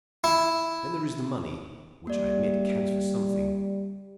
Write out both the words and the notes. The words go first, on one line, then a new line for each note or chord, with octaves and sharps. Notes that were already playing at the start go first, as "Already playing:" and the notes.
Then there is the money, which I admit counts for something.
E4
G3 A#3 D5